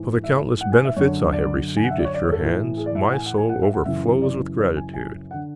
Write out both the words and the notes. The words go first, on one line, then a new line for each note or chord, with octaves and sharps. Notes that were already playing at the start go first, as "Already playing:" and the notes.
For the countless benefits I have received at your hands, my soul overflows with gratitude.
Already playing: G#2 E3
E5
F#5
G#5
E5
F#2 D3 C#5
D5
G#5
F#5
E5
D5
C#5
D5
C#5
A4
A2 E3
G#4
D5
E5
F#5
G#5
F#5
G#5
F#5
E5
F#5
F#2 C#3 E3 E5
D5
C#5
G#5
G#5
F#5
D3